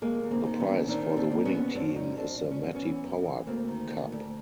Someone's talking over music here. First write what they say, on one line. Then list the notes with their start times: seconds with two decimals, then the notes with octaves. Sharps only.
The prize for the winning team is the Matty Power Cup.
0.02 D#2 G#3 A#3
0.24 D#2
0.31 A#3 C4
0.46 D#3
0.60 B3 C#4
0.67 D#2
0.88 D#3 C4 D4
1.10 D#2
1.17 C4 D4
1.31 D#2
1.45 B3 C#4
1.53 D#2
1.75 F#2 C4 D4
1.96 F#2 C#4 D#4
2.17 F#2 C4 D4
2.39 F#2 D4
2.51 C#4
2.61 F#2 C4
2.75 B3 C#4
2.82 E3
3.04 F#2
3.25 E3
3.47 D2 A#3 C4
3.68 D#3
3.90 D2
4.12 D2